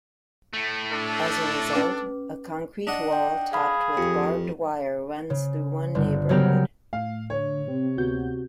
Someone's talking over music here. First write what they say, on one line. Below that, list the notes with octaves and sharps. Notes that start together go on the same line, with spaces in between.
As a result, a concrete wall topped with barbed wire runs through one neighbourhood.
A2 A3
D4 A4
C#4 B4 D6
D4 D#5 F#5
G5
G#4 F5 B5
F2 G4
C#3
G1 D3
C#3 F#3 B3 G4 A#4 F6
A2 F5
D3 C#5
C3 C4
D2 B3 F#4 G6